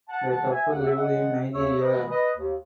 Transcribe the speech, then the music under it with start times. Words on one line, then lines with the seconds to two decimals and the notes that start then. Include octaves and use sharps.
The couple lived in Nigeria.
0.09 F#5 A5
0.30 D#3 G#3 F#5 A5
0.51 E5 G#5
0.71 D#2 F#5
0.84 E5
0.96 D#5 F#5
1.13 D#3 G#3
1.54 D#2 C#5 E5
1.82 B4 D#5
1.96 D#3 G#3
2.10 B4 D#5
2.37 D#2